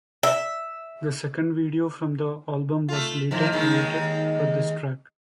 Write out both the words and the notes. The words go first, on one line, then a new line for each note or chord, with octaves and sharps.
The second video from the album was later created for this track.
E5
A3 F4
A2 D#3 F3
D#2 D#3 G#3